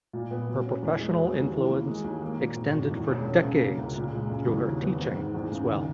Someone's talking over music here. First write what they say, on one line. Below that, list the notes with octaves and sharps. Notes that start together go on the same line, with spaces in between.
Her professional influence extended for decades through her teaching as well.
A#2
B3
F#3
C#4
E2
G#3
F#3
D#2
E3
A#3
G#3
D#2
A#3
A#2
G#1
F#2
E2
E1
C#4
C#3
A#3
C#2
A#2
G#3
C#3
E2
D#2
B3
G#2
G#2
E2
C#3
D#3